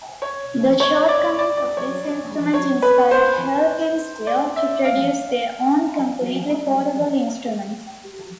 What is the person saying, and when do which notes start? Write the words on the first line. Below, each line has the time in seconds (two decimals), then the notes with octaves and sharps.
The shortcomings of this instrument inspired Helpinstill to produce their own completely portable instruments.
0.22 C#5
0.80 C#5
1.09 D5
1.39 D5
1.57 D5
1.77 C#5
2.54 C#5
2.82 B4
3.11 C5
4.27 D5
4.56 E5
4.85 F5